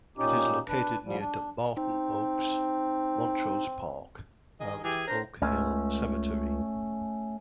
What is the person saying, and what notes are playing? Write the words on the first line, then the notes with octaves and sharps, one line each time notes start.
It is located near Dumbarton Oaks, Montrose Park, and Oak Hill Cemetery.
A#2 C#4 D#4 G4
D4 B4
G#2 F3 G3
D4
C4 D#4
D#3 G#4 D#5
E3 G4 G#4
D4 A#4 C5 A#5
C#2 A3 C#4